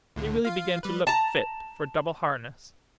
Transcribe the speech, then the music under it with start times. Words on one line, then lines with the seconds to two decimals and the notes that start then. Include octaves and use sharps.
They really began to look fit for double harness.
0.16 C#2 A2 D3
0.45 F4 F5
0.83 G3 B4
1.07 A5 A#5